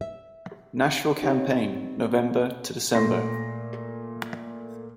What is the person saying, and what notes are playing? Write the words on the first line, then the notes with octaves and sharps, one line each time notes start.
Nashville Campaign November-December.
E5
B3 C4 D#4 G4 C#5
A#2 A3 C6 A#6